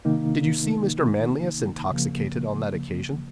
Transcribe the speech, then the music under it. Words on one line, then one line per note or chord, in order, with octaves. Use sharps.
"Did you see Mr. Manlius intoxicated on that occasion?"
C3 D#3 A#3 D#4
C#3 F3 A#3